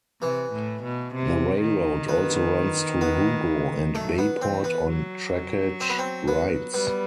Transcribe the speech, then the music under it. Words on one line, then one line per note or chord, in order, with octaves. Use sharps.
The railroad also runs to Hugo and Bayport on trackage rights.
C3 E3
A2
B2
C3
D#3
B3
B3
F#3 A3
B3
E3 C4
B3
F#3
C4
B3
C4
B3
G3 B3